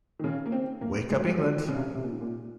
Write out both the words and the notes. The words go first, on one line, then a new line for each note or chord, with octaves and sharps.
Wake up England!
D#3
C#3
A#3
C4
A#3
G#3
F#3
G#3
F#3
D#3
C#3
C3
C3
A#2
G#2
A#2